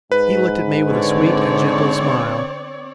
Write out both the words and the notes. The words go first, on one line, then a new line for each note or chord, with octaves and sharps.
He looked at me with a sweet and gentle smile.
G#2 B4
D3 C4 C#5 D5